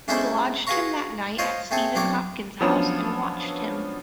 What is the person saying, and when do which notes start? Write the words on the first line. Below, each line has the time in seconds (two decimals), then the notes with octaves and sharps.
We lodged him that night at Stephen Hopkins' house, and watched him.
0.08 G#3 A3 C#4 D4 E4 C5
0.67 F#4 G#4 B4 F5 A#5 C#6
1.38 F4 C5 C#5 D#5
1.71 A3 C4 G#4 A4
1.95 B1 C4 D4 C#5 D6
2.61 F3 F#3 B3 C#4 D4